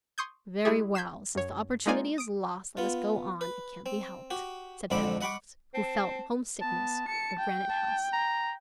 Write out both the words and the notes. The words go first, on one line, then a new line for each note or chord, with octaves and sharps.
"Very well, since the opportunity is lost, let us go on; it can't be helped," said Pencroft, who felt home-sickness for Granite House.
C6 C#6 D#6 G6 G#6
G#3 E4 G4 G#4
G6 G#6 B6 C7 E7
F#2 C#5
G#3 A#3 D#4 F4 D5 G#5
D#6 D7
B3 F4
B4
C4
F#4 G4
F2 G#2 D3 C4 B5 D6
D#5 F#5 B5 C#6 D6
C4 A5
B3 A5
A5 C#7
G5
A5
A#5